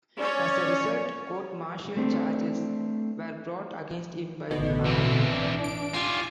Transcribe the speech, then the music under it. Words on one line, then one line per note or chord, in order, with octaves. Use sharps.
As a result, court-martial charges were brought against him by the Army.
C#4 C#5 D5
A3 C4 D4
A1 B2 D3
E3 C4
D4
D7
F4 G4 G#5